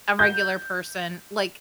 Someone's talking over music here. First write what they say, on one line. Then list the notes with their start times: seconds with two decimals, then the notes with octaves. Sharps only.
a regular person, like
0.19 G6